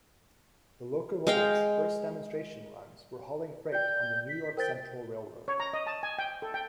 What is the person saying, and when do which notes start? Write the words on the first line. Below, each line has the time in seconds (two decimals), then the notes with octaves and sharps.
The locomotive's first demonstration runs were hauling freight on the New York Central Railroad.
1.27 G#3 F5 G5
3.72 D5 G5 G6
4.29 B6
4.57 A#4 C5 G5 A6
5.48 C#5
5.60 A#5
5.73 D#5
5.87 A5
6.03 G#5
6.19 G5
6.42 A4
6.54 G5